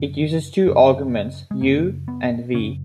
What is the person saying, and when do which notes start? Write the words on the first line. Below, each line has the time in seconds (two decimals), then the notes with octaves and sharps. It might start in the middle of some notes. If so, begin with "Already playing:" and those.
It uses two arguments "u" and "v".
Already playing: F#2 C#3
0.67 F#2 C#3
1.51 G#3
1.61 F#2 C#3 A#3
2.08 B3
2.54 F#2 C#3 C#4